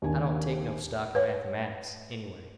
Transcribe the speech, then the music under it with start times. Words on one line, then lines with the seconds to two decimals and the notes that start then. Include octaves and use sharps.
I don't take no stock in mathematics, anyway.
0.02 D#2 D4 G#5
1.15 B4 C#5